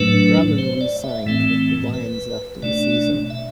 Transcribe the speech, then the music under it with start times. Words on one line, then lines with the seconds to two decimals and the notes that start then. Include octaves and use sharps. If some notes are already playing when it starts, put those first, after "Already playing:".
Graman re-signed with the Lions after the season.
Already playing: A2 F#3 A3 D4 B4
0.58 C5
0.81 D5
1.04 E5
1.26 A2 E3 A3 C4
1.94 B4
2.62 B2 A3 D4 D5
3.30 E5